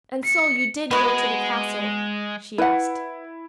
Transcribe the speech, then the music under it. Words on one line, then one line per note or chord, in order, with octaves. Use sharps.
'And so you did go to the castle?' she asked.
C#7
G#3 B3 F#4 G#4
E4 B4 F#5